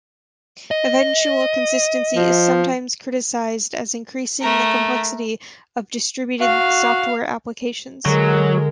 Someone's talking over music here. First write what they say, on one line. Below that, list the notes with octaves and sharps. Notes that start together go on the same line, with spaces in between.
Eventual consistency is sometimes criticized as increasing the complexity of distributed software applications.
D#5
F3
A3 A#4
F#4 F5
D3 F#3 G#3 A#4